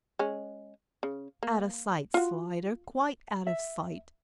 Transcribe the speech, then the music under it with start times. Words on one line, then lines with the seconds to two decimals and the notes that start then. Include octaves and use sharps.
Out of sight, Slider, quite out of sight.
0.19 G#3 C#4
1.03 C#3
1.43 A#3
2.14 F4 F#4
3.47 E5